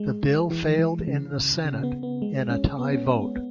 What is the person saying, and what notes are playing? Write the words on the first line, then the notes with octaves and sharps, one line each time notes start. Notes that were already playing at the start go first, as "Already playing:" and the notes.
The bill failed in the Senate in a tie vote.
Already playing: G#3
E3
E3
C#3
C#3
B3
B3
G#3
C#4
B3
C#4
B3
B3
B3